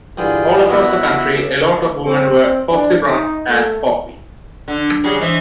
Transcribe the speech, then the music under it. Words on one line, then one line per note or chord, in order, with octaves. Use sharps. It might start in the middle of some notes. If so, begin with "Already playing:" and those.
All across the country, a lot of women were "Foxy Brown" and "Coffy".
G2 D3 E3 F4 G#4 G5
B3 E4 F#4 A#4 B5
C#2 A4 E5
C4
D4
D#4
A3
D3
C#3 F#3 G3 G#4
E3 D#4 C5 E5